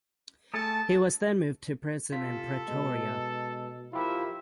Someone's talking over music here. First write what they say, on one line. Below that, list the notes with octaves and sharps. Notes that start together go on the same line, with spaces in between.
He was then moved to prison in Pretoria.
A3 G#4 A4 A5
C3 F4 A4 B6
B2 G#3
F3 E4 F4 G4 A#4 E5